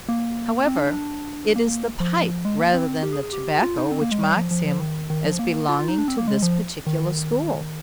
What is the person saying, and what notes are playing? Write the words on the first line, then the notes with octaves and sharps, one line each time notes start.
However, it is the pipe rather than the tobacco which marks him as belonging to this particular school.
A#3
C4
D4
D4
A#3
F3
G#3
A#3
C4
G4
G#4
G#4
G4
F4
D#4
C4
A#3
G#3
G3
F3
F3
F3
D#3
D#3
F3
A#3
F4
F4
D#4
D4
C4
A#3
G#3
F3
D#3